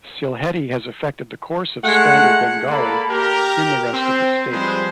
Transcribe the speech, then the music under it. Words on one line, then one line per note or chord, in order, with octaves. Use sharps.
Sylheti has affected the course of Standard Bengali in the rest of the state.
G#3 A3 F#5
A#3 A4 D5 B5
G4 A#4
C4
F3 G3 G#3 G#4 B4 C5